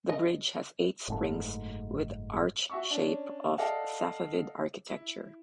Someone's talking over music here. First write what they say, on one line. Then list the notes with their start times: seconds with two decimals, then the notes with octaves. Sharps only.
This bridge has eight springs with arch shape of Safavid architecture.
0.09 D#5
1.08 F#1 G#2 A3
2.70 F#4 E5 C#6
2.90 C#4 D4
3.58 A4 D5 D#5 F5 F#5
4.89 E4